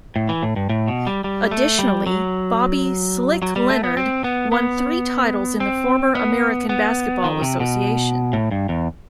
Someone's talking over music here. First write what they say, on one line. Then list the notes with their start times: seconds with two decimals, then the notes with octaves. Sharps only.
Additionally, Bobby "Slick" Leonard won three titles in the former American Basketball Association.
0.16 A2
0.29 E3
0.43 A2
0.56 G2
0.69 A2
0.88 B2
1.07 G3
1.24 G3
1.51 A3
1.79 G3
2.06 F#3
3.42 F#3
3.56 G3
3.70 A3
3.84 B3
3.97 C4
4.24 B3
4.52 B3
5.60 C4
6.15 B3
6.69 B3
7.24 D#3
7.42 C3
7.60 B2
8.33 A2
8.51 G2
8.69 E2